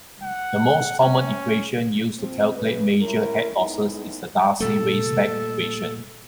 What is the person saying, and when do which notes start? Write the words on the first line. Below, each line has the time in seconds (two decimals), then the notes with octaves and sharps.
The most common equation used to calculate major head losses is the Darcy-Weisbach equation.
0.23 F#5
1.00 C#4
2.19 F3 C4
2.55 C#3 B4
3.01 C#4 E4 A#4
3.57 A2 G#3 B3 D#4 E4
4.60 A#2 G3 A3 A4